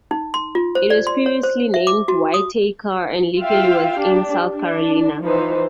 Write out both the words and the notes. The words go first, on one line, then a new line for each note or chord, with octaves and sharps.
It was previously named Whitaker and legally was in South Carolina.
D#4
C6
F4
C5
D5
C6
C#5
C5
E5
D6
F#4
D#6
F4 E5 F5 G5
D4 G4
D4
E3 F3 D#4 B4 C5